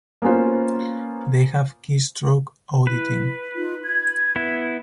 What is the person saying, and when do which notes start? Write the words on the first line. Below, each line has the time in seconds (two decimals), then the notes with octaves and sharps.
They have keystroke auditing.
0.22 A#3 B3 C#4 F4 C5
2.87 E4 B4
3.56 D#4 F4
3.84 G#6
4.36 B3 E4